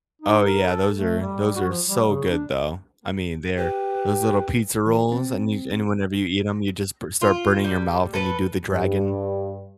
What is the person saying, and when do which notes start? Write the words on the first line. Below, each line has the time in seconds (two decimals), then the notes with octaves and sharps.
Oh yeah, those are those are so good though. I mean, they're those little pizza rolls, and you c and whenever you eat 'em, you just b start burning your mouth and you do the dragon
0.22 D#4
0.44 A#4
0.67 A4
0.97 A3
1.21 G3
1.56 F#4
1.67 F3
1.87 G3
2.08 C#3
2.29 D4
3.58 G4 B4
4.86 E3
5.12 C4
7.22 F4
7.64 G3
8.14 A4 B4
8.68 G2